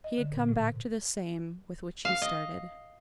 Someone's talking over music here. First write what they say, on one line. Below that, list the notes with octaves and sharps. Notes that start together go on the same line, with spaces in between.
He had come back to the same with which he started.
D#5
D3
A#2
A2
C3
F5
D#5